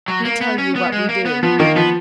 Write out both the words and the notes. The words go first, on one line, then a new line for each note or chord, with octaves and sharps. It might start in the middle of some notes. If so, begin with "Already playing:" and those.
Me tell you what we do.
F#3
A#3
B3
C#4
B3
G#3
A#3
B3
F3 B3
D#3 A#3
F3 B3